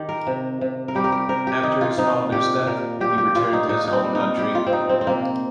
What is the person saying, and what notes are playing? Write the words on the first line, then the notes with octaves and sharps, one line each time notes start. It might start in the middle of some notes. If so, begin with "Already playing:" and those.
After his father's death he returned to his home country.
Already playing: D#3 G4
A#4
C3
C3
A#4
G3 G4
A#4
G4
C3 A#4
G4
D#3 D#4
F4
C3 D#4
A#2 G4
A#2 A#4
A#2 G4
G4
A#2 F4
D#4
A#2 D#4
D#4
C4
G3
D#4
G3 G4
F4
C4
A#2 D#4
C4
C4
C3 A#3